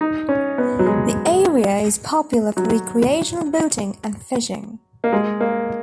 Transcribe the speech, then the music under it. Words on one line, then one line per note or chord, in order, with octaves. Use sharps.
The area is popular for recreational boating and fishing.
D#4
C#4
B3
F#3
G#3
F#3
A#3
G#3
A#3